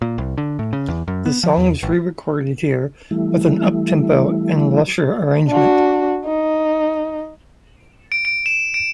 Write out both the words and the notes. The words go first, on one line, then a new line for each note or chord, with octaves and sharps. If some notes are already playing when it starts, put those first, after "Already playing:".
The song was re-recorded here with an uptempo and lusher arrangement.
A#2
C2
D3
A2
C#3
E2
F#2
B3
F3
E2
A1
E3 G3 A3 E4
D4 F#4
D#4
D7
D7
E7
D7